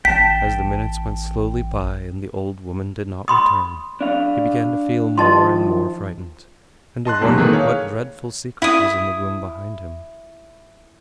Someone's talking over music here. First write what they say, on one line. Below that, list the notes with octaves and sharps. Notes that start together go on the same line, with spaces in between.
As the minutes went slowly by and the old woman did not return, he began to feel more and more frightened, and to wonder what dreadful secret was in the room behind him.
A1 G5 A5 B6
B5 C6 D#6
D4 F5
D#3 F3 D#5 A5 C6
D#5 A5 C6 F#6
E2 G#2 C3 F#3 A#3
D#3 E3 A3 A#3 G#4
C#5 F5
E4 D#6